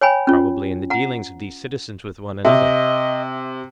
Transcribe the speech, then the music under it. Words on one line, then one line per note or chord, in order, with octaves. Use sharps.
Probably in the dealings of these citizens with one another.
C#5 G5 G#5 B5
C#4 F4
F#5 A#5
C3 D#5 E5